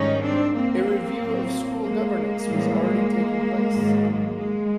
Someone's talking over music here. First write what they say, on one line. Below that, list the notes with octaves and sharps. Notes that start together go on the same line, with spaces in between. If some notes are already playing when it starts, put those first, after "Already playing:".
A review of school governance was already taking place.
Already playing: G#2 D#3 G3 C#4 D#4
C4 D4
A#3 C4
A2 F#3
G#3 A#3
A2 E3 G3
G#2 D#3 F#3
G#3